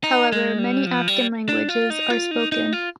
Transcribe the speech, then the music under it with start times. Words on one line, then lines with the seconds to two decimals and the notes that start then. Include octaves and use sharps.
However, many African languages are spoken.
0.04 D#4
0.32 G#3
0.59 G3
0.87 F3
1.08 G3
1.49 D4
1.69 F4
1.90 D#4
2.10 F4
2.31 D#4
2.52 D#4
2.73 F4